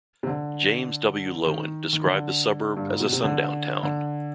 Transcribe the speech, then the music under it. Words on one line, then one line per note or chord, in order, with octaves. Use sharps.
James W. Loewen described the suburb as a sundown town.
C3
D3
D#3
D#3
D3
G2
G#2
B2
C3
D3
D3